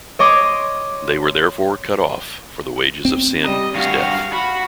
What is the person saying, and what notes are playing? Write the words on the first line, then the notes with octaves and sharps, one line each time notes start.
They were therefore cut off, for the wages of sin is death.
C#5 D#5 C6 D6
C4
G3 D#5
G2 F#4 F5
F#4 B5